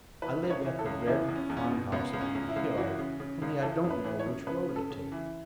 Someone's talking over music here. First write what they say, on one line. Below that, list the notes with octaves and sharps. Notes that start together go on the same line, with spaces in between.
'I live at the red farm-house over the hill, only I don't know which road to take.'
E3 B4
C#2
C#5
E3
A4
C#2
E2 E4
E2
C#4
E2
C#4
B3
B2
C#2 B3
C#2
C#4
C#2
E4
C#2
E3 F#4
C#3
C#3
C#2
E3 A4
F#2
B4
E3
C#5
F#2
C#3 B4
C#3
A4
C#3
E3